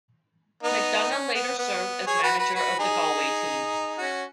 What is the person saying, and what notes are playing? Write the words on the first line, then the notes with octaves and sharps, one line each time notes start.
McDonagh later served as manager of the Galway team.
B3 D#4
C#4
B3
B3
G#4 C#5
F#4 B4
F#4 B4
F#4 B4
D#4 G#4
C#4 F#4